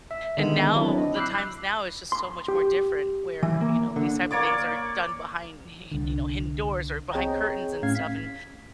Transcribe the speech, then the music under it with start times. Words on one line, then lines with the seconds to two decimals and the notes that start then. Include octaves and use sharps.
and now the times now is just so much more different where, you know, these type of things are done behind hi hi you know, hidden doors or behind curtains and stuff, and,
0.11 E5
0.37 D3 D#3 G#3 B3
0.76 F#3 C4 D4 E4
0.98 D#5
1.16 B5 D6 E6 F#6 G6 C7
2.12 C6
2.48 G4
3.43 E3
3.61 A#3
3.96 D3
4.31 A#3 C#5 D5 D6
5.92 C2 D3
7.12 C4 G#4 C#5 D#5 G5 A#5
7.83 A2 C#4 F5 G#6 C7
7.95 B6